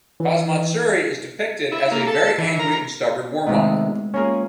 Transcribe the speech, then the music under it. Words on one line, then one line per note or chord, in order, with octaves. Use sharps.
Kazmatsuri is depicted as a very angry and stubborn warmonger.
E3
E4
A#3
A4
E3
A#4
C3 D#3 G#3 A3 B3
A#3 C#4 F4 G#4 A#4